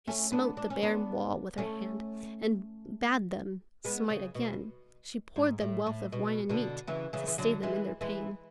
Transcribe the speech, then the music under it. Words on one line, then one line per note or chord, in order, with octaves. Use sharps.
She smote the bare wall with her hand And bad them smite again; She poured them wealth of wine and meat To stay them in their pain.
A3 C#4
B3 D4
D4
C#4
B3 D4
A3 C#4
G#3 B3
C#3
B2
G#2
A2
A2
B2
B2 D3
C#3 E3
C#3 E3
E3
D3 F#3
E3 G#3
E3 G#3